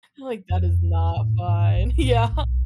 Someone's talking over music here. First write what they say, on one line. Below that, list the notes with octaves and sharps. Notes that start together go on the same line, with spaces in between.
Like, "That is not fine." Yeah.
F2
A2
G#2
B1
A2
B1